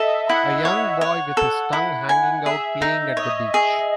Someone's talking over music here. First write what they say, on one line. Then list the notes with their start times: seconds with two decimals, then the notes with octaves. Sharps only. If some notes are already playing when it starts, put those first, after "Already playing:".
A young boy with his tongue hanging out playing at the beach.
Already playing: A4 D#5 E5
0.29 E4 F#5
0.65 C#5
1.01 C#5
1.37 A4
1.73 E4
2.09 G#5
2.45 G#4 E5
2.82 D#4
3.17 C#5 D#5
3.54 G#4